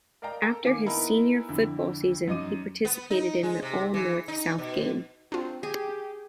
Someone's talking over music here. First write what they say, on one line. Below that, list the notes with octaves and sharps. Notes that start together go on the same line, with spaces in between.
After his senior football season, he participated in the All North-South game.
A#4 D5 D#5 F5 G5 A#5
A4 A#4 G5 A5 A#5
D#3 A#3 G#5 D6
B3 D#4 E4 A#4 B4 G#5
F2 D3 E4
F#2 D#4 D#5 D6 D#7
B3
D#4
G#3
C3
E3
D#4
B2
C4 D4 F4
G4 G#4